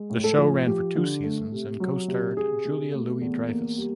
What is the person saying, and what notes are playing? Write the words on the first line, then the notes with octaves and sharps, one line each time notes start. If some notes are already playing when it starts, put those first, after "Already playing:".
The show ran for two seasons and co-starred Julia Louis-Dreyfus.
Already playing: G#3
A2
A4
F3
F3 G4
D3
A3
C3
F#3
C3
C3 G#4
C3
A3
E2
A#3
G3